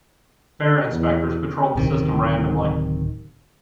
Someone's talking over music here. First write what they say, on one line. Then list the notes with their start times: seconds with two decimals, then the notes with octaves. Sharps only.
Fare inspectors patrol the system randomly.
0.92 E2
1.76 D1 C3 D#3